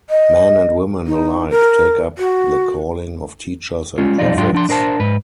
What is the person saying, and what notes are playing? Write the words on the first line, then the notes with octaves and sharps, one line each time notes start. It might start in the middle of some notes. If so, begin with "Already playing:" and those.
Men and women alike take up the calling of teachers and prophets.
D#5
D#4
A#4
F#4
G3 G#3 C#4 F4
B1 F2 G3 D#4 F4 D5
G#2 F#3 D4 F4 G4 C6
F3 D4 C6
D4 A#4 C5 A5
G#2 B4